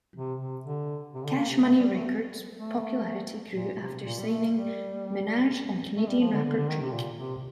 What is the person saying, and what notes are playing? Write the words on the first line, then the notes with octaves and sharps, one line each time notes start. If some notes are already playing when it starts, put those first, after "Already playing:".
Cash Money Records popularity grew after signing Minaj and Canadian rapper Drake.
C3
C3
D3
C3
D3
A#3
C3
A3
G3
A3
A3
A#2
C3
A#2
G3
A3
G3
A3
G3
F3
D3
D3
D3
D#3
C3
A#2
C3